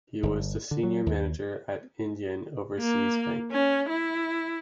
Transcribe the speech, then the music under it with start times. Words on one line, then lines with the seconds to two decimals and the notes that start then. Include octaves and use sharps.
He was the Senior Manager at Indian Overseas Bank.
0.23 G1
0.71 D3
0.83 F#3
1.06 D#2
2.79 A#3
3.52 C#4
3.89 E4